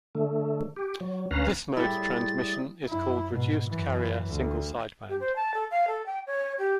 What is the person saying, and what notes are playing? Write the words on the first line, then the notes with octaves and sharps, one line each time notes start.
This mode of transmission is called reduced-carrier single-sideband.
D3 A3
G4
F#3
D2 C#4 B4 F5 A#5
A2 G3 E4 G4 G#4 C6 A6
F#2 E4
G#2 B2
F#2 E3
D2
G4
C5
A5
A4
F5
A4
G5
C#5
G4